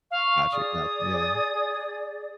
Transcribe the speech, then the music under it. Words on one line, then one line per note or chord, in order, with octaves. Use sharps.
Gotcha, gotcha. Yeah.
F5 C#6
G#4 D5 D#6